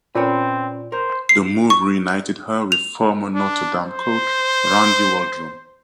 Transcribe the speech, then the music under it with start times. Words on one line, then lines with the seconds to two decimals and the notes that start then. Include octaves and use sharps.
The move reunited her with former Notre Dame coach Randy Waldrum.
0.15 A#2 C4 C#4 A#4 B4
0.92 A#4 C5
1.29 C7
1.70 C#6
2.72 F7
3.35 D4
3.85 C5